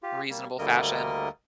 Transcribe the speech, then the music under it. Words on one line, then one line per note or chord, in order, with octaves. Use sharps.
reasonable fashion,
F4 G4
G3 A#3
D2 D3 G3 A#3 A#4 D#5